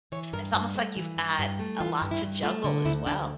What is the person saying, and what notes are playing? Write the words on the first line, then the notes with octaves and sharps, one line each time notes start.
It's almost like you've got a lot to juggle as well,
E3 C#5
G2 A#4
G2
A3
E3
G2
G2
A3
E3 F4
G2
E4
G2
A3 F4
D3
D2 E4
D2 D4